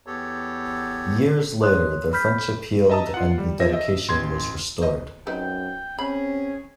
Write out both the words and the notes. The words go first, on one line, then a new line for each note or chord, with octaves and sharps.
Years later, their friendship healed and the dedication was restored.
E2 B3 G4 A4 C#5
C#5 C6 D#6 F#6
B5 F6 G6 B6
D#5 E5 A5 A#5 D#6
F4 F#5
G3
F3 E5 A#6
D#5 E5
A1 C6 G#6
C5 D#5
F#2 C4 D#4 B4 G5
C4 C#4 G#4 B5